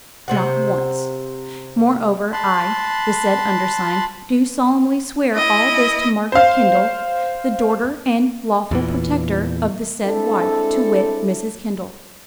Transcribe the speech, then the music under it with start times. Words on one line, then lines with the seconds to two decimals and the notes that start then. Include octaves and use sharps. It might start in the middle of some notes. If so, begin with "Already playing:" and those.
Not once. Moreover, I, the said Undersigned do solumly Swear all this to Margaret Kendall, the dorter and Lawfull Protectur of the said Wife, to wit, Mrs. Kendall.
0.28 C3 C5 F#5
2.33 A5 B5 C6 F#6
5.35 E4 D#5
6.32 C5 F5
8.71 E2 A#2 E3
10.04 G#3 C4 D4 E4 A4